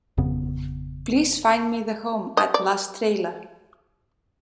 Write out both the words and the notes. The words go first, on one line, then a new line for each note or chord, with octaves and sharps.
Please find me the Home at Last trailer.
G#1 F2 C#3 B3
D#5
D5